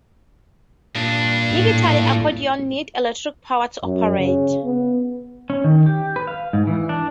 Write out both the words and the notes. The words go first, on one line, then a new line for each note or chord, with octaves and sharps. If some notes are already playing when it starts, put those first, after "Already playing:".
Digital accordions need electric power to operate.
G2 A#2 D4
A2
F#2
C#3
B3
C#4
D#3
G4
B4
F5
G#2
E3
D4